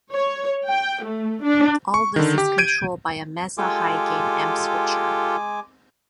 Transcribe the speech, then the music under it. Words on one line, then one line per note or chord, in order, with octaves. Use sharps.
All this is controlled by a Mesa high gain amp switcher.
C#5
G5
A3
D4
C#6
D3 D#3
G4
G6 G#6 D7 D#7
G#3 F4 G4 A4 G#5 D6